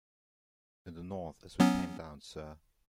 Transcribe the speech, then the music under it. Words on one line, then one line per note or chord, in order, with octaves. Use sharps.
In the north as we came down, sir.
F#3 B3 C#4